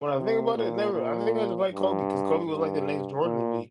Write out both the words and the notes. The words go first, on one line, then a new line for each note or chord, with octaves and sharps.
When I think about it, never, I think I just like Kobe because Kobe was like the next Jordan to me.
C3
A#2
A#2
G2
G2
A#2